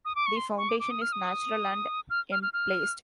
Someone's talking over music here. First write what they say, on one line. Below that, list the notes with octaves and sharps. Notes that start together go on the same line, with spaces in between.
The foundation is natural and emplaced.
D#6
D6
C#6
C6
C#6
D6
D6
D#6
F6
D#6
F6
F6
F6
F6